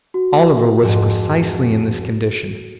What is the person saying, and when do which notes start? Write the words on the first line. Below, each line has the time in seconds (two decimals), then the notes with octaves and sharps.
Oliver was precisely in this condition.
0.14 F#4
0.82 F2 G#2